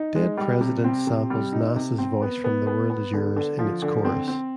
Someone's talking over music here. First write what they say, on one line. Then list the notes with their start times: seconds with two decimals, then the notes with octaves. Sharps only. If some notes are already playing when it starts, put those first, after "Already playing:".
"Dead Presidents" samples Nas' voice from "The World Is Yours" in its chorus.
Already playing: D#4
0.15 G#3
0.37 G3
0.61 C3
0.84 C4
1.07 C3
1.30 G3
1.52 D#4
1.76 C3
1.98 C4
2.22 B3
2.44 B3
2.67 B3
2.90 B3
3.14 D3
3.36 D3
3.59 F3
3.82 D3
4.05 C4
4.28 C4